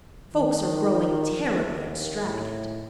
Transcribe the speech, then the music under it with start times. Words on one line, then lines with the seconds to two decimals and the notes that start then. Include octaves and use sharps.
"Folks are growing terribly extravagant."
0.34 D#3
1.52 D#2
2.23 A2